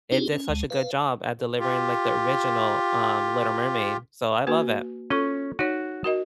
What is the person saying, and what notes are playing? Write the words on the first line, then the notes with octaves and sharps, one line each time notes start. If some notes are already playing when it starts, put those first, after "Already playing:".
it did such a good job at delivering like the original, um, Little Mermaid, so I love that.
C4 D4 D#4 F4 G4 G#4
C#4
D2 G#3
B4 F5
F4 G4
A#3 F#4 B4
C#4 F4 A4 C#6
D#4 F#4 C#5
F#4 A#4 D#5